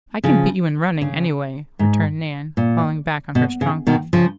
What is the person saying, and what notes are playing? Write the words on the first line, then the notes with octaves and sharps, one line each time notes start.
"I can beat you in running, any way," returned Nan, falling back on her strong point.
C#3 F3
C#3
G#2
A#2
B2
C#3
B2 D#3
C#3 F3